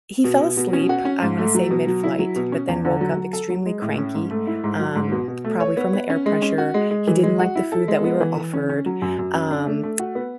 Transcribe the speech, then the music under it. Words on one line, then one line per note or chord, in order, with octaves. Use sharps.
he fell asleep, I wanna say midflight, but then woke up extremely cranky, um, probably from the air pressure, he didn't like the food that we were offered, um,
B2
B2
B2
C#4
F#4
C#4
G#2
A3
F#3
B2
F#3
E4
F#3
B2
C#4
E2
D3
F#3
F#3
A4
F#3
G#3
A2
C#4
G#2
A3
E4
G#2
F#3
G#2
B2
B2
A3
C#5
B3
B3
C#4
G#3
C#4
F#4
G#3
G#3
E3
G#3
F#4
E4
A4
G#3
B3
E3
E3
C#4
C#4
F#3
F#2
F#2
C#4
D4
A3
A3
F#4
B3